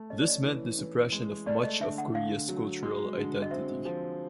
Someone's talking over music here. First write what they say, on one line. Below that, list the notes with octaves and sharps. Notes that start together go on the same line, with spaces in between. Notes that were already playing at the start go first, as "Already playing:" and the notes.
This meant the suppression of much of Korea's cultural identity.
Already playing: A3
C#4 D#5
D5
D#5
E3
E3
G#3
A3 D5
D#5
D3 E5
F#5
D3 F5
F#3
G#3
D3
D#5
C4 E5
F3